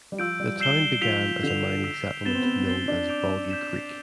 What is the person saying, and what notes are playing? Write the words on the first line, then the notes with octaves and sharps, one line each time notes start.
The town began as a mining settlement known as Boggy Creek.
G3
F3 E6 G6 D7
G3
E6 G6 C7 E7 G7
F3 E6 B6 D7 F7
D3 G6 B6 F7
E6 B6 D7 F7
B3 A6 E7 G7
C4
B3
C4 A6 C7 G7
D4
D6 G6 D7 F7
G6 B6 E7